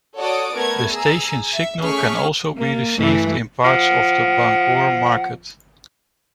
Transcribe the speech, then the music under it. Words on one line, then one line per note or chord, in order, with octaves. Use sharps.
The station's signal can also be received in parts of the Bangor market.
F#4 A4 C#5 D5 D#6 D7
A3 B3 A#4 G#6
G#4 G#5 A#5 E6
E5
A3 C#4 G#4 C#6 F6 B6
A#3
G2 E3 A3
F3 F#5